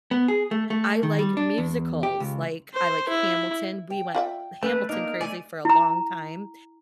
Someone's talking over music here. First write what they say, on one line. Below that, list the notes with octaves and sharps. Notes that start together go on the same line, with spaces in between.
I like musicals, like, I like Hamilton. We went Hamilton-crazy for a long time.
B3
G#4
A3
A3
D#3
G3
D4
E2
G4
C#2
C5
E4
G5
F4 D5 E5
A3 B3 C#4 B4
A#3 D4 D#4 A#4
A3 D5 G#5
E4 A#5